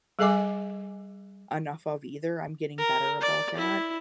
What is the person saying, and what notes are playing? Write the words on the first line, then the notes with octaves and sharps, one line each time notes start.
enough of either, I'm getting better about that,
G3 G#4 A4 D#5 G#5 D6
A#4
D5
E4